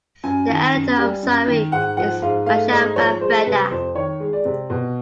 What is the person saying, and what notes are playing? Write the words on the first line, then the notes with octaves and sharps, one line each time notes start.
The editor of "Sarie" is Michelle van Breda.
F#2 G#5
D#3
F#2
G3
F#2
D#3
G#2 F#5
F3 F#5
G#2 F5
A3 F5
G#2 D#5
F3 C#5
G#3 C5
C3 B4
F2 C5
D#3 C#5
G#3
D5
C3
B2